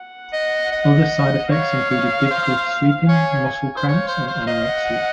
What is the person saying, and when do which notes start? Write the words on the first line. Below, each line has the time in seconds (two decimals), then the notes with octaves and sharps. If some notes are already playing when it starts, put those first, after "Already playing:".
Other side effects included difficulty sleeping, muscle cramps and anorexia.
Already playing: F#5
0.33 D#5
0.72 D#5
1.51 C#5 F5
1.91 C#5
2.30 C5
3.09 C#5 G#5
3.77 C5
3.89 C#5 F5
4.08 C5
4.27 C5
4.47 D#5
4.67 F#5